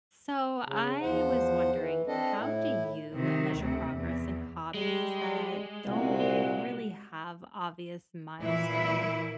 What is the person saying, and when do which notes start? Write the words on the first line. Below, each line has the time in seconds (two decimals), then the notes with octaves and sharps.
So, I was wondering, how do you measure progress in hobbies that don't really have obvious milestones?
0.66 C#3
1.02 E2 F3 C5 F#5
1.77 E3
2.07 C4 D4 A4 D#5
2.40 A2 E4
3.13 C3 D#3
3.58 D2 C3
3.93 E2
4.74 G3 G#3
5.85 C2 A#2 F#4
8.43 A#2 E3 E4